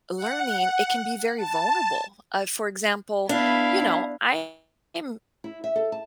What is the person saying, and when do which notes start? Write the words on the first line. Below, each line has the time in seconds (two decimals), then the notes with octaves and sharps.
learning, it can be very vulnerable, uh, for example, you know, I am
0.16 F#5
1.37 A5
3.29 B3 D4 E4 F5
5.44 E4
5.64 E5
5.76 A4
5.92 A5